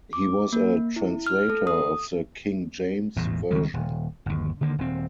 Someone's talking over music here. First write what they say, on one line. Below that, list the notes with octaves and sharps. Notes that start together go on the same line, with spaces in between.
He was a translator of the King James Version.
D6
A#3
E4
F6
A4
D#6
A1 E2 G#2 B2
C#2 D#3 G3 G#3
D#1
G1 D#2
D3 D#3 A#3
D#1 C4